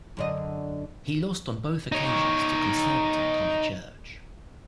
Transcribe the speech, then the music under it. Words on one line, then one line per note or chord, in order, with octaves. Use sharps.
He lost on both occasions to Conservative Tommy Church.
F#2 D3 D#5
D#4 C#5